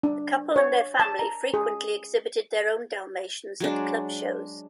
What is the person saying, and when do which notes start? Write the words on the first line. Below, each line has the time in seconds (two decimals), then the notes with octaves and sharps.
The couple and their family frequently exhibited their own Dalmatians at club shows.
0.03 D4
0.56 C#5
1.00 A5
1.19 A#5
1.54 G#4
3.60 F#3 G#3 D4